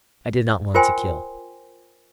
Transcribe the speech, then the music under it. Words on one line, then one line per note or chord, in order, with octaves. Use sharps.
I did not want to kill.
F4 A#4 C5 G5 G#5 C6